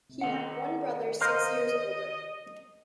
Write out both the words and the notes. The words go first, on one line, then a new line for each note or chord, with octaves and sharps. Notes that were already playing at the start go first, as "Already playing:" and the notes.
He had one brother six years older.
D#3 F#5
A#4 C5 D#5 F5